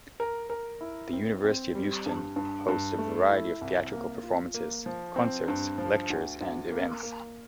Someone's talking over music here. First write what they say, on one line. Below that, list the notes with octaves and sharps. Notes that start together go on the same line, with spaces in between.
The University of Houston hosts a variety of theatrical performances, concerts, lectures, and events.
A#4
A#4
E4
C4
C4
G3
G2
G2
G2
A3
E4
C2
A#3
F4
A#3
F3
C4
G2
F3
D2
D2
A#3
A#3